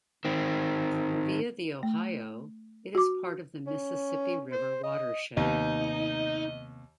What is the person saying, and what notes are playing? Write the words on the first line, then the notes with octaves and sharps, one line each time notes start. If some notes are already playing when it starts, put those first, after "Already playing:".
Via the Ohio, it is part of the Mississippi River watershed.
D#3 C4
A3
F#4 D6
C#4
C5
D#5
D#2 C3 A#3 B3 D#4 D#5